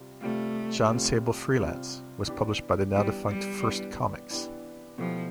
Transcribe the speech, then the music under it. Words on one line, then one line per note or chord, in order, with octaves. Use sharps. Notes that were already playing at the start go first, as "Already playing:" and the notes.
"Jon Sable Freelance" was published by the now-defunct First Comics.
Already playing: C3 G3 C4 F4
C3 G3 A3 C4 F4
C3 G3 C4 F4
C3 G3 C4 F4
E3 B3 D4 G4
E3 G3 B3 D4 G4
G3
E3 B3 D4 G4
E3 B3 D4 G4
B2 F3 A3 E4 G4